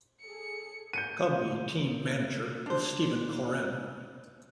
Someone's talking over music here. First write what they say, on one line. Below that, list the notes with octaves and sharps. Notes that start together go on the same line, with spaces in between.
Comby Team manager is Steven Corren.
G#4 A4 C#7
G6 C#7 D#7
D4 C5